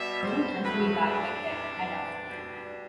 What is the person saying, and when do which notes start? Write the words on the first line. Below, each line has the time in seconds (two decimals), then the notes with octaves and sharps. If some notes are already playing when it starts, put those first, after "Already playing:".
Don’t answer me back like that, Ada.
Already playing: B2 G3 E5
0.23 C5
0.64 G2 F#3 A3 B4
1.05 D4
1.46 C3 E3 G3
2.28 B2 G3